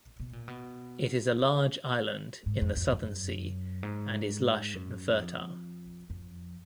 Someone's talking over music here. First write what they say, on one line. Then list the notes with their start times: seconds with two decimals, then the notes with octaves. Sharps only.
It is a large island in the Southern Sea and is lush and fertile.
0.20 B2
0.33 A#2
0.48 B2
2.46 G#2
2.62 F2
2.77 F2
2.92 F#2
3.83 G#2
4.74 F#2
5.19 F2
6.10 F2